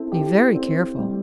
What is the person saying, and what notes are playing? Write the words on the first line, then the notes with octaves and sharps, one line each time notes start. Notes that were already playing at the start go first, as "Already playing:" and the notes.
Be very careful.
Already playing: C4 E4 A4
G4
C4
G3